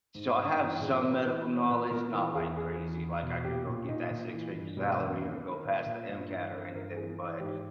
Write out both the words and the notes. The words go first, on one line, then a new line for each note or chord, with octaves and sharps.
so, I have some medical knowledge not like crazy, like, I could go get that six-figure salary or go past the MCAT or anything, but
G#2
G2
E3
A#2 G#4
A#4
A#2
B4
E3 B4
E3
C#5
A#2 B4
A#2 A#4
E3
E2 G#4
E2 G#4
E2
E2
B2
A#2 G4
A#2
A#2 D#4
A#2
E3
G2
B2 G3
G#3
E2
B3
D#3 A#3
B3
D#3
A#4
A#2
A#2
G2
E3
G2 A#4
G2 A#4
E3 G#4
E3
G#2 G4